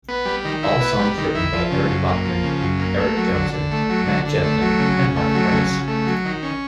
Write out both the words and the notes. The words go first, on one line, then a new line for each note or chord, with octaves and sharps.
All songs written by Eric Bachmann, Eric Johnson, Matt Gentling and Mark Price.
B3
G3
D#3
E4
B3
G3
D#3
E4
F3
C#3
F#2
A#3
F3
C#3
F#2
A#3
A3
F#3
D3
D3
A3
F#3
D3
D3
A3
F#3
C#3
C#3
A3
F#3
C#3
C#3
A3
F#3
D#3
C#4